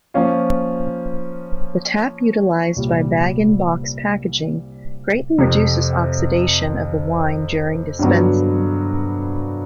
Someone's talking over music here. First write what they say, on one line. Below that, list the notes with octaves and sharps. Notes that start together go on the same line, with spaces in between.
The tap utilised by bag-in-box packaging greatly reduces oxidation of the wine during dispensing.
F3 A#3 C#4 F4
C2 A#2 G3
F2 C3 F3
G2 D3 F#3 B3